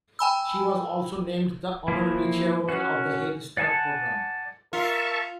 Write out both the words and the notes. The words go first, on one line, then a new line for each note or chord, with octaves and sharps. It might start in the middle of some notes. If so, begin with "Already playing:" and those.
She was also named the honorary chairwoman of the Head Start program.
G5 G#5 B5 E6
E3 F3 A#3 E4
C#4 F#4
D5 F#5 G#5 A5
F4 A#4 E5 A5 C#6